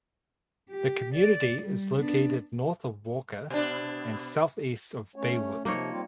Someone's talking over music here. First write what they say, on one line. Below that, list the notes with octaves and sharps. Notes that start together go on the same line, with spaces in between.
The community is located north of Walker and southeast of Baywood.
G4
D5
G3
B3 D4
B2 D4
A3 C#4 C#5
C3 F3 A#3 D#4 C#5
G3 C4 F4